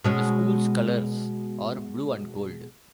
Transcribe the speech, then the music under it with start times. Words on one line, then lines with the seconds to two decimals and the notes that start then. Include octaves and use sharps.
The school's colors are blue and gold.
0.04 B2 G#3 C#4